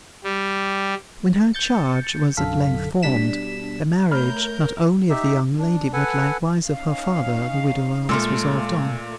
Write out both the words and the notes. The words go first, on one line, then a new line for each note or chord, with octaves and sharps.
When her charge was at length formed, the marriage, not only of the young lady, but likewise of her father, the widower, was resolved on.
G3
G6 A6 C#7
B1 F#2 D3 A4 F5 B6
B2 G3 D4 B6 E7
A3 A#4 C#5 B5 F6 G6
D#4 G4 E5
D4
A4 B4 F#5 G#5
C#4 D#4 F5
A#2 G#3 A3 F4 A4